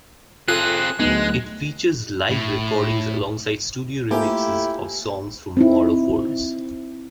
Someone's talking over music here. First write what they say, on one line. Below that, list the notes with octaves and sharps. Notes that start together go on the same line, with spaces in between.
It features live recordings alongside studio remixes of songs from "War of Words".
C4 F4 G#4 A4 F#6
D2 F#3 G#3 B3 D#4
A2
A3 A#3 E4 F4 G4 C5 G#5
C4 D#4 E4